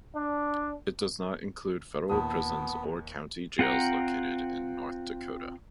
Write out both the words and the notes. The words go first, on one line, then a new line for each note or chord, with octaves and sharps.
It does not include federal prisons or county jails located in North Dakota.
D4
D#2 A#2 B3 A5 D#6
C4 F4 F#5 G5 A#5